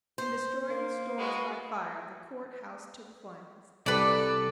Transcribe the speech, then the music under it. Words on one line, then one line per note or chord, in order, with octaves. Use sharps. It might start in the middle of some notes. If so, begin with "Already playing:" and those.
In destroying the stores by fire the court-house took flames.
C5
A#3
G#3 F#4 B4
C2 G3 A4 B4 D5